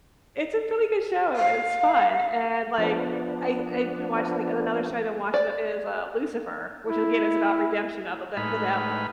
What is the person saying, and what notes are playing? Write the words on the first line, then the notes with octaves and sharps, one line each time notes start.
it's a really good show, and it's fun, and, like, I I've been watching and another show I've been watching is, uh, Lucifer, which again is about redemption of the d the devil.
F5
F3 B3 D4
D5
E4
A2 G#3 D#4 B4 B5 F6